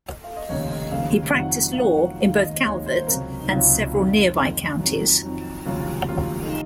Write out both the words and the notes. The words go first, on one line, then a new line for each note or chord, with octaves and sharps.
He practiced law in both Calvert and several nearby counties.
F5
D#5
F1 D#2 C#3 C#5
D#5
F1 D#2 C#3 F5
F2 D#3 F#3 F#5
F5
F2 D#3 F#3 F#5
D#2 D#3 G#3 F5
D#5
D#2 D#3 G#3 C#5
C5
C#2 C3 F#3 A#4
D#4
C#2 C3 F#3 F4
F2 D#3 G#3
F2 D#3 G#3 D#4
F2 D#3 F#3
F2 D#3 F#3
F1 D#2 C#3 F#3 F4
F1 D#2 C#3 F#3 F4
D#4